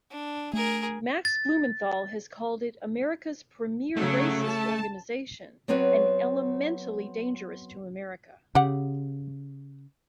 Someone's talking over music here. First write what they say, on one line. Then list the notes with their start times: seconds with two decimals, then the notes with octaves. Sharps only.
Max Blumenthal has called it America's premier racist organization and elementally dangerous to America.
0.11 D4
0.53 A3 G#4 A#4
1.25 A6
3.97 C#3 F#3 A3
4.45 A5
5.68 F#3 B3 C4 F#4 B4 C#5
8.55 C#3 G4 F#5